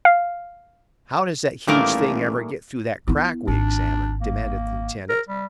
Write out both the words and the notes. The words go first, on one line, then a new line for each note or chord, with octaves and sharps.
"How does that huge thing ever get through that crack we examined?" demanded the lieutenant.
F5
A1 A#2 D#3 G3 A3 A#3 A#4
B3 E4
G#1 D4
A#3
A#4
G3